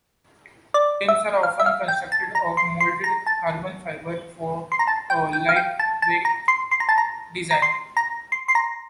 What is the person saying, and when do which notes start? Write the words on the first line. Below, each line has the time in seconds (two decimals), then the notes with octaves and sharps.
Frames are often constructed of moulded carbon fiber, for a lightweight design.
0.74 D5
1.08 E5
1.43 F5
1.60 E5
1.66 F5
1.88 G5
2.12 A5
2.35 A#5
2.57 C6
2.80 C6
3.04 A#5
3.26 A5
4.72 C6
4.79 A#5
4.87 A5
5.10 G5
5.33 G5
5.49 F5
5.56 G5
5.79 A5
6.02 A5
6.25 A#5
6.48 C6
6.71 C6
6.80 A#5
6.89 A5
6.98 A#5
7.51 A#5
7.62 C6
7.97 A#5
8.32 C6
8.48 C6
8.55 A#5